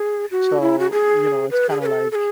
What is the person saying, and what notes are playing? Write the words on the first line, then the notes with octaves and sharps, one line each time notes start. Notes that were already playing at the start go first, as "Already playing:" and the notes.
So, you know, it's kinda, like,
Already playing: G#4
F#4
E4
F#4
G#4
B4
G#4
B4
A4
A4
G#4